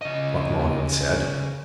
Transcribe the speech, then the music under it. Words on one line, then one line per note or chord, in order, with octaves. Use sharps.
Buck Mulligan said.
C#3 D#5